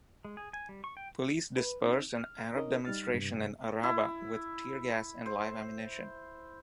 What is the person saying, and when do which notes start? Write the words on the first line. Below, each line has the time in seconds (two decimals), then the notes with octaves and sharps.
Police dispersed an Arab demonstration in Arraba with tear gas and live ammunition.
0.25 G#3
0.37 G#4
0.53 G#5
0.69 G3
0.84 C#6
0.97 G5
1.57 B4
1.81 C4 D#4
2.15 F6
2.55 C#4 D#4 A#4 D#5
2.85 G3 D#4 F6 A6
3.12 G2 C3
3.83 E4
5.26 C5